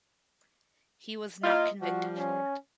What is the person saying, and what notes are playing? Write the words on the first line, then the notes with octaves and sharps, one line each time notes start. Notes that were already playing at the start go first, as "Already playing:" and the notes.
He was not convicted for it.
A#3 E4 F4 D#5
F3 G3 F#4
C#4